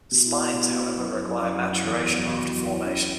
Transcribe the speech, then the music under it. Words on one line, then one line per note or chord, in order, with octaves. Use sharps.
Spines, however, require maturation after formation.
B2
E4
B3
B2
B2
E4
F#2
E4
F#3
F#2
F#2
E4
E2
F#3
B2
E2
E2
F#3
E4
C#4
E3